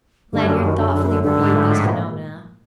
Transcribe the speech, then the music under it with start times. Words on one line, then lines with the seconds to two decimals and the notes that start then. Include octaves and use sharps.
Lanyard thoughtfully reviewed these phenomena.
0.33 G2 D3
0.43 F#2
0.48 D3
0.53 F#2
0.63 D#3
0.78 D3
0.88 C#3
0.93 D3
1.04 C#3
1.08 D3
1.23 G2 D3
1.38 G#2
1.54 A2
1.69 G#2
1.84 A#2